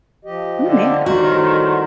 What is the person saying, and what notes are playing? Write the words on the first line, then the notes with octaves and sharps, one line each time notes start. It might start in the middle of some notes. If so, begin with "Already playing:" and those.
Oh, man.
F3 G4 D#5
D3
A2 D#3 G3 F#4 C5